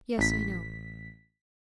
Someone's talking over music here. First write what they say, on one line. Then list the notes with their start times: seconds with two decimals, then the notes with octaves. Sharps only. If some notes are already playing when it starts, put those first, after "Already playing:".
"Yes, I know."
0.18 A1 B6